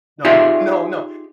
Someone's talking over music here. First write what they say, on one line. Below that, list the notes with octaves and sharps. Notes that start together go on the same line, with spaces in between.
No, no, no.
D#4 F4 G4 G#4 D5 E5